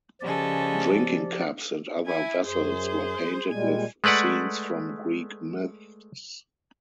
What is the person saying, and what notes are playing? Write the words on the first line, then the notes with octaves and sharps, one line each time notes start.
Drinking cups and other vessels were painted with scenes from Greek myths.
C#3 F3 G#3 G4 A4 D5
E4 G#5
F#2 G#4 C5
A#2 G3 G#3 G#5
G#3 A3 B4 D5 F#5